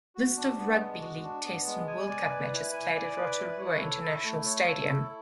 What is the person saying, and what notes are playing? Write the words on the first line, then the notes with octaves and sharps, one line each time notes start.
List of rugby league Test and World Cup matches played at Rotorua International Stadium.
F#4
D4
B3
G#3
F#4
D4
B3
G#3
G#5
D5
B4
E4
G#5
D5
B4
E4
C#5
A4
E4
A3
C#5
A4
E4